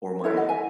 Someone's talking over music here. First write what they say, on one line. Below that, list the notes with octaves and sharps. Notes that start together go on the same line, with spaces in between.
or my
E4 A4 C#5 E5
D#5 F#5
E5 G#5